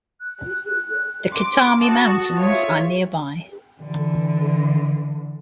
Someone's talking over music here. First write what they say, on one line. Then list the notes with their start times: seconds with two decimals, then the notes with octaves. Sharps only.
The Kitami Mountains are nearby.
0.20 F#6
1.32 C6 D6
1.82 F#4 A5 D#6
2.37 F4 C#5 E5
3.81 D3 E3